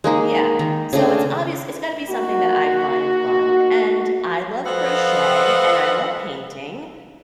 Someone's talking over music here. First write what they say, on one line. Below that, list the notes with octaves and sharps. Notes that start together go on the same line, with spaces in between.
Yeah, so it's obvious it's gotta be something that I find fun, and I love crochet, and I love painting,
G#3 A#3 D#4
D#3
C#3 A3 D4
A#3 D#4 F#4
F3 A4 B4 D#5 F5 F#5